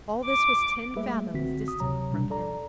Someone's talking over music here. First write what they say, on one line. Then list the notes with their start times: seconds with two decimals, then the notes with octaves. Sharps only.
All this was ten fathoms distant from him.
0.25 D6
0.96 G3 A3 A#3 G#4 B4 E5
1.33 A#1 D3 C4 F#4 B6
1.68 D#6
1.80 D2 C3 F#3 C#5 A#5
2.12 B2 G3 D4
2.30 A4 D5 A#5